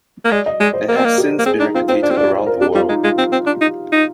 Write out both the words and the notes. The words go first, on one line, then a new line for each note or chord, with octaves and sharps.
It has since been replicated around the world.
A#3
G#3 D5
D#5
G#3 D5
C5
A#3 A#4
C4
A#3
G4
A#3
C4 G#4
D4 D#4
C4 F4
C4 C5
D4 D5
C4
D4 D5
C5
A#4
D4 G4
G3 F4
G#3 D#4
G#3 F4
C4
C4
D4
D#4
D#4